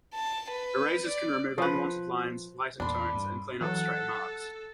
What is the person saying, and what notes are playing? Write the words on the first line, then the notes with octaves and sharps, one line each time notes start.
Erasers can remove unwanted lines, lighten tones, and clean up stray marks.
A5
B4
D5
F3 B4
E2 A#2 D4 B5 C6
G2
E3 F#3 A4 F#5